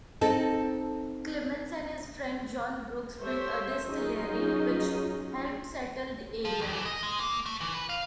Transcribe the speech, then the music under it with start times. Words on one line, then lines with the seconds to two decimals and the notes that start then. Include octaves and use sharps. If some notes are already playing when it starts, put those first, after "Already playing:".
Clemens and his friend, John Brooks, built a distillery, which helped settle the area.
0.21 C4 D#4 A4
3.19 G4 A4 C5 C#5 E5
3.85 F#3 C#4 D#4 F4 G#4
6.45 F3
6.61 D#2
6.73 E3
6.86 D#5
7.03 G#3
7.20 A#3
7.46 A3
7.61 E3
7.75 B4
7.89 F5